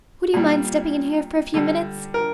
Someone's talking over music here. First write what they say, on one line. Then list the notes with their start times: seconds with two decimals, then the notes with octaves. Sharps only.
Would you mind stepping in here for a few minutes?
0.34 A#2 G3
1.54 D3 G3
2.14 A#4